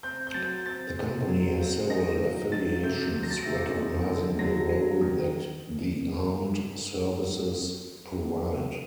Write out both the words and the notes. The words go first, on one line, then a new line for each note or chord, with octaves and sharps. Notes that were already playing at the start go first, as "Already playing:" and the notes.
The Company has several affiliations recognising the role that the Armed Services provide.
C4 G6
G6
F#3 A6
C4 A6
C4
F#3
C4
D#4 A#6
F#3
F#3 A6
C3 G6
F#3
A#6
A6
A#6
C3
D#4
D3
F#3 A#6
F#3
D#3